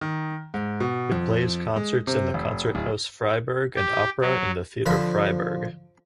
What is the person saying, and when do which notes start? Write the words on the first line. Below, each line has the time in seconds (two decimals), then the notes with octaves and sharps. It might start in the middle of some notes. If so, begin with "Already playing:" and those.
It plays concerts in the Konzerthaus Freiburg and opera in the Theater Freiburg.
0.01 D#3
0.54 G#2
0.80 B2
1.12 F2
1.76 G#3
2.07 C3
2.34 F1
2.75 D1
3.76 G4
4.21 F#3
4.86 D3 F3 B5